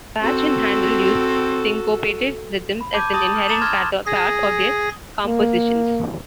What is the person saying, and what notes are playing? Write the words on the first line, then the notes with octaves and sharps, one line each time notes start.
Bach and Handel used syncopated rhythms as an inherent part of their compositions.
C4 F#4 A4
B5
A5 B5 D6 G6 G#6 D#7
A5 D#6 A6 A#6 D#7 F#7
F6
A#5 D6 A6 E7 F7
A5 C6 F6 G#6 A#6 G7
G#4 A#6
A#3